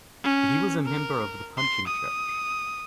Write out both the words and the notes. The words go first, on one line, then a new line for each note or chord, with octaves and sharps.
He was a member of the Punching Church.
C#4
A#4
C6
D#6